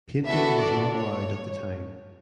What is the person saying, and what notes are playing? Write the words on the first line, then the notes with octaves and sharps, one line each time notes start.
Painting was not allowed at the time.
B3 D4 E4 F#4 A4 E5
D4 D5
C#5